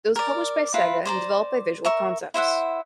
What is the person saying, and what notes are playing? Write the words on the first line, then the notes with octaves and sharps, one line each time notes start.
It was published by Sega and developed by Visual Concepts.
A#4 D5
E4 F4 B4 A#5
C5 D5 A#5
A#4 E5 C#6
E4 C5 E5 F#5